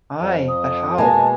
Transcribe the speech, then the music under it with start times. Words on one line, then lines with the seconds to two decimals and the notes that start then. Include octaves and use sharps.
Ay, but how?
0.21 F2
0.49 D#6
0.98 B2 G#3 A#3 G#5 A5